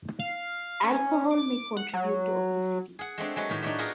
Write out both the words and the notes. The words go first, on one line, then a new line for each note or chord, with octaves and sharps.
Alcohol may contribute to obesity.
F5
C#4
D6
F#5
F#3
G#4 F#5
G#3 A3 C4 D4
F#3 G#3 B4 C#5
A2 D#3
D4 D#4 B4 C#5 D5 E5
B3 F4 F#4 G#4 A#4 F#5